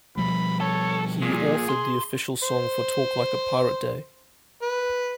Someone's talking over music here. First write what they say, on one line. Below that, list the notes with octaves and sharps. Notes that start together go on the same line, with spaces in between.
He authored the official song for Talk Like a Pirate Day.
B2 F3 G3 B5
A4 C#5
A#2 G#4
C6
C5
B4